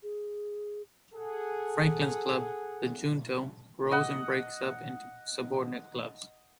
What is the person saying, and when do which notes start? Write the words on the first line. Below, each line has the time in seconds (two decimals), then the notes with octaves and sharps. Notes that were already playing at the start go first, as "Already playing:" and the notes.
Franklin's club, the Junto, grows and breaks up into subordinate clubs.
0.03 G#4
1.14 G#4 A4 F#5
3.91 D#5 F#5